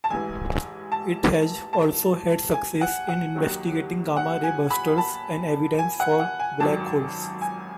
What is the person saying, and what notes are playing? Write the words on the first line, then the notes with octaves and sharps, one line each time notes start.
It has also had success in investigating gamma-ray bursters and evidence for black holes.
A5
A1 G#2 E3 G#5
A5
A5
G#5
F#5
F#5
D#2 D#3 F#3
F#5
G#5
B5
A5
G#5
F#5
F#5
G#5
G#1 F#2 D#3 F#3 A5
G#5